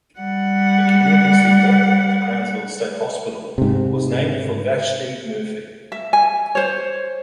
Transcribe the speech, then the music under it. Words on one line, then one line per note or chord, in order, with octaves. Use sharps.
The community center at the Crownsville State Hospital was named for Vashti Murphy.
G3 F#5
G#2 C3
E5
G#5
C5 C#5